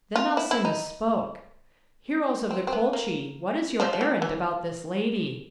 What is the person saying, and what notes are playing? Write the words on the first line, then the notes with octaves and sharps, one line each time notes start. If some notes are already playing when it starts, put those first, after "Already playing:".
Then Alcinous spoke: "Heroes of the Colchi, what is your errand about this lady?"
F4
E4
E4
D#4
C4
C4
B3
A#3
F3
F3
E3
E3